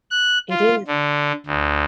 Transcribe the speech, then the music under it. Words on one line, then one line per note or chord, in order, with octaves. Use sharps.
It is.
F#6
F4
D3
D2